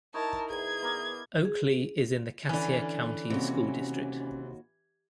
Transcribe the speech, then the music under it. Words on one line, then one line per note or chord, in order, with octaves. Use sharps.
Oakley is in the Cassia County School District.
D#4 E4 A#4 C#5 A5
E2 G#4 G#6
B3 A#4 D5
G#4
D3 E3 C#4 D4
D#2 C3 C#4 F#4